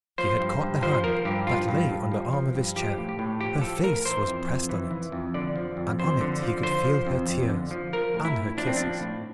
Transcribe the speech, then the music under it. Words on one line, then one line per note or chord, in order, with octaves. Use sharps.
She had caught the hand that lay on the arm of his chair, her face was pressed on it, and on it he could feel her tears and her kisses.
F3 C5
G2
G2
F3 C5
F3 A#4
G2 G4
F3 F4
G2
G2
F3
F3
G2
F3 G4
A2
G4
A2
F3 G4
F3 A4
A2 A#4
E3 C5
F2
F2
E3
E3
F2
D3 D5
F3
F2
F2 C5
D3
F3
D3 C5
F3
F2
F2
D3
F3
F3 A#4
A2
E4
A2
F3 D4
C4
F3 D4
A2